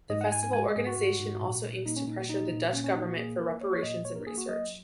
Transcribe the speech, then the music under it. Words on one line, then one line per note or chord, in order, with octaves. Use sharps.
The festival organisation also aims to pressure the Dutch government for reparations and research.
G#2 D#5
F#5
G#2 G#5
G#5
G#3 G#5
D#5
G#2 G#4
F#4
G#2
G#2
A#2
A#2
A#3 D#4
C#4
A#2 D#4
F#4
A#3 D#4
A#2
A#3 C#4
C#4
A#2 D#4
F#4
A#3 G#4
A#3 A#4
A#3 C#5
C#5
A#2 D#5
A#3 C#5
A#4
A#3 G#4
F#4
F#3 D#5